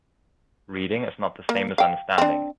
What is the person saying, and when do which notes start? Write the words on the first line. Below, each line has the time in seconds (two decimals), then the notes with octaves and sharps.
Reading is not the same as understanding.
1.49 A#3
1.78 F5 G5
2.18 C4 D4